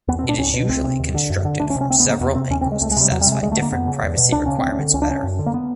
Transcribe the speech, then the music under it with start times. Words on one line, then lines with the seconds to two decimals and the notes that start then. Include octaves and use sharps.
It is usually constructed from several angles to satisfy different privacy requirements better.
0.08 E2 B3
0.19 C4
0.23 B2
0.29 D4
0.38 C#2 C#4
0.54 B2
0.69 C#2 C4
0.84 C3
0.99 D#2
1.15 D3
1.30 F#2
1.45 D3
1.60 D2 D4
1.70 C#4
1.76 C3
1.81 C#4
1.90 D2 C4
2.00 B3
2.05 C#3
2.10 A#3
2.20 E2 B3
2.35 C3 C4
2.50 D#2 C#4
2.61 C4
2.66 C#3
2.72 G#3
2.81 C#2 A3
2.91 G#3
2.96 C3 G3
3.11 E2 F#3
3.21 G3
3.27 C3
3.32 G#3
3.42 D2 G#3
3.52 A3
3.57 D3
3.62 A#3
3.72 F2 B3
3.87 C#3
4.03 E2
4.17 B2
4.32 C#2 D4
4.46 C#3 C#4
4.59 D2 C4
4.72 C#4
4.79 D3
4.94 C#2 C#4
5.02 D4
5.08 C#3 C#4
5.24 F#2
5.39 D3
5.46 A#3
5.54 B3